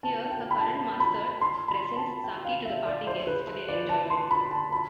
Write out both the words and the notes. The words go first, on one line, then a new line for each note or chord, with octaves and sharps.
Here, her current master presents Saki to the party guests for their enjoyment.
A5
G5
B5
A5
B5
C6
B5
A5
G5
F5
E5
D5
C5
B4
D5
A5
C6
B5
A5
B5